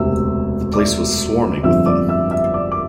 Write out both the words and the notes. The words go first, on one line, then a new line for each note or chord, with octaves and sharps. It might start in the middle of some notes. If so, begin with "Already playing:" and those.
The place was swarming with them.
Already playing: E1 D2 C3 E5 E6
D5 D6
G1 F2 D3 F3 C4 E5 E6
D5 D6
E5 E6
E5 E6
D5 D6
D6